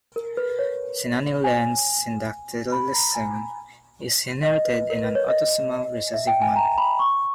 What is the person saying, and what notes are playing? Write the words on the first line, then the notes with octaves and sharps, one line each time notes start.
Cenani-Lenz syndactylism is inherited in an autosomal recessive manner.
A#4
B4
C#5
G#5
B5
A#5
G#5
D#5
B4
A#4
B4
C#5
D#5
E5
G5
G#5
A#5
B5
C#6